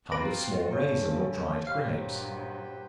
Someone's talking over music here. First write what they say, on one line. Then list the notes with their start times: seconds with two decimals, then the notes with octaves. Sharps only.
A kind of small raisins or dried grapes.
0.12 C4 F4 F#4 B4 A#5 D6
0.73 G2 C#3 C#4 D4 A4 C#5
1.67 G2 A#2 F#3 G4 B4 C5 F5